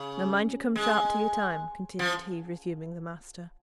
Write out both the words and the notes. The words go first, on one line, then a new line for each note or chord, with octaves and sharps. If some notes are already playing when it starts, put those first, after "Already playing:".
'Now mind you come sharp to your time,' continued he, resuming the master.
Already playing: C#3
G#3
F3